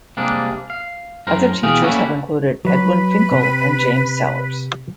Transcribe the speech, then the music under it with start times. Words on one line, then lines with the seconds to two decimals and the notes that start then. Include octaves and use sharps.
Other teachers have included Edwin Finckel and James Sellars.
0.17 C3 G3 G#3 A#3 D4
0.70 F5
1.27 F#2 A2 A#4 C5
1.63 B2 E3 G#4 F5 G5
1.82 G3 A3 A#3 C#4 E4 F#4
2.65 F#3 B4
3.31 C3